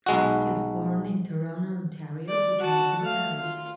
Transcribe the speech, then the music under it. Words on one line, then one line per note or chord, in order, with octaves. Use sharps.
He was born in Toronto, Ontario to Jamaican parents.
B1 G#3 F#4
D5
F#4 A5
A3 F5
F4